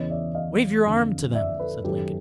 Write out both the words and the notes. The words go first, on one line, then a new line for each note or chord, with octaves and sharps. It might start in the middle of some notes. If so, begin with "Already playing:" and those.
"Wave your arm to them," said Lincoln.
Already playing: E2 C#3 E3 C#5 D#5
D5 E5
D#5 F5
F2 D3
D5 E5
A4 B4
F#2 D#3 G4 A4